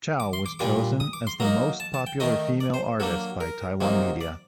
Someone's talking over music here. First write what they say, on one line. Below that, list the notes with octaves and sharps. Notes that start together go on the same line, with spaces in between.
Chow was chosen as the "Most Popular Female Artist" by Taiwan media.
D6
C6
D6
A#2 G3 D4 D6
D#6
D6
C6
F#3 A#3 D#4 A#5
A5
A5
G5
D#3 A3 D#4 D#5
D5
C5
F#3 A#3 D4 A4
A#4
C3 F#3 A#3 D#4
D5